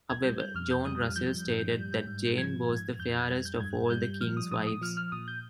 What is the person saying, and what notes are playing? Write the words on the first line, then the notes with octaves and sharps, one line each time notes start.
However, John Russell stated that Jane was the fairest of all the King's wives.
G#6
G3 G6
G6
F2 F6
G6
G3 D#6
F6
F3 G6
G2
G3
G#2
F3 G#6
G#2
F2 G6
G#6
G3 G#6
G6
G2 G#6
G3 G6
F3 F6
D#6
A#2 D#6
D#6
F3 F6
F6
A#2 D#6
G6